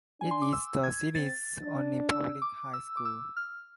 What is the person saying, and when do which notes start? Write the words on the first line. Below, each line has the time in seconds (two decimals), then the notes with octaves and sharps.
It is the city's only public high school.
0.21 D4 G#5
0.31 C6
0.42 D6
0.53 E6
0.83 G#6
1.15 C4 A6
1.63 D4
2.11 E6
2.42 D6
2.73 E6
2.97 D6
3.05 E6
3.37 F6